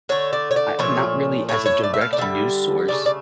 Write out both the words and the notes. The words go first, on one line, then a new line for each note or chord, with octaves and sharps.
I not really as a direct news source,
D3 A3 C#5
D5
C#5
D5
A#2 F3 A3 C#5
A2 F3 A3 C#5
C#5
D5
E5
F5
D5
D3 G3 E5
C#3 F3 A3 D5
D5